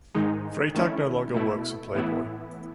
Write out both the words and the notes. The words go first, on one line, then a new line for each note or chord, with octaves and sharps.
Freytag no longer works for Playboy.
G#2 D#3 G#3 D#4
D#3 A3 C#4 E4
B2 A3 E4
A2 E3 B3 E4